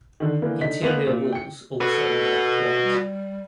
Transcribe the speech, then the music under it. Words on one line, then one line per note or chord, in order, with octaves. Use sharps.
Interior walls also were left white.
D3 D#3
D3 E3 A#3 B3
D3 D#4 B6
G#3 A#3 B3 F7 F#7
A#2
G5 C#7
F#4 A4 B4
G3